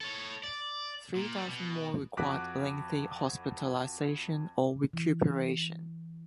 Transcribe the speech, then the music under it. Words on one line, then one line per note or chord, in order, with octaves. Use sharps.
Three thousand more required lengthy hospitalization or recuperation.
A4 C#5
D5
A#2
G3
B2
F2 F#4 D6 F#6 B6
E3